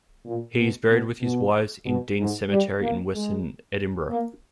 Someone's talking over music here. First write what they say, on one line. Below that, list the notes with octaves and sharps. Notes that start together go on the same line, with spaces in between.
He is buried with his wives in Dean Cemetery in western Edinburgh.
A#2
B2
B2
B2
B2
G#2
G3
A#3
G#3
A#3